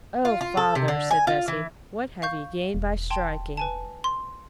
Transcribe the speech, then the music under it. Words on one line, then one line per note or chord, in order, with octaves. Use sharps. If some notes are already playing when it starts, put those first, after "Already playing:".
'O, father!' said Bessy, 'what have ye gained by striking?
F4
F4
A4
C3
D3
G#5
F4
E3
F5 C#6 G6
E1
G5 A5 C6
B4 G#5 A5
C6